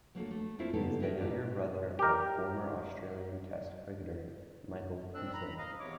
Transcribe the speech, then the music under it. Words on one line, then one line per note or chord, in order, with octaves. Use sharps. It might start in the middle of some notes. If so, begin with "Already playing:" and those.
He is the younger brother of former Australian Test cricketer Michael Hussey.
F#3 A3 A#3 D4 F#4 A4
A3
A3 A#3 C4 D4 E4 F4
C#3 G3 A#3 B3 G4 A4
A#4 B4 C#5 D#5 E5 G5
G#2 F4 G4
G4 A#4
C4 D4 E6 F#6
A#5 B5
D#5 F5 A#5
E2 C3 C#5 D6